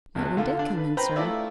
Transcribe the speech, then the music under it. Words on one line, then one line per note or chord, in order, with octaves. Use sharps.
"No one did come in, sir."
A#1 E2 B3
D3 F4
D4
B4
B4 C5 G5 A#5 B5
A3 E4 F4 D5 E5